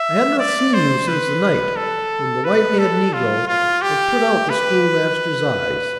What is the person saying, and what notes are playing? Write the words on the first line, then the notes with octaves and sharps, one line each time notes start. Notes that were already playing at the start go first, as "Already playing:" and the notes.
I had not seen you since the night when the white-haired negro had put out the Schoolmaster's eyes.
Already playing: E5
D5
C5
B4
A4
B4
A4
F4
F4
G4
B4